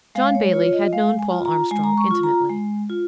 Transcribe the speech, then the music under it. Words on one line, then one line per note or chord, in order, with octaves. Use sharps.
John Bailey had known Paul Armstrong intimately.
G#3 F5
C#5
F4 C#5
D#5
G#3 F5
G#5
F4
A#5
G#3 G#5
A#5
C#6
F4
A#5
G#3
F4